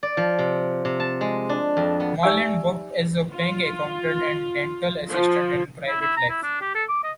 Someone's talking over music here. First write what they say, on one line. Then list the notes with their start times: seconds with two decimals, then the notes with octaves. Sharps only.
Marland worked as a bank accountant and dental assistant in private life.
0.03 D5
0.17 F3
0.39 C3
0.85 C3
1.00 A5
1.21 G#3
1.49 D4
1.77 F2
2.00 B3
2.23 D#4 G4 D5 E5 G#5 E6
3.31 F4
5.10 F3
5.88 E4
6.01 E4
6.17 A#5
6.30 E4
6.43 D4
6.61 G4
6.75 A4
6.89 D6
7.04 D#5